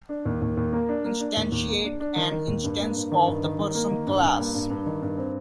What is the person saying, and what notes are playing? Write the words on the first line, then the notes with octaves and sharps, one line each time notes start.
Instantiate an instance of the Person class.
D4
D#2
D#2
D#2
A#3
D4
A#3
D4
D#2
D#2
A#3
D4
D4
D#3
D#3
D#2
G2
A#3
G2
D#3
G2
D#3
D#3
A#3
D#3
G2
G2
A#3
G2
G2
D#3
G2
C4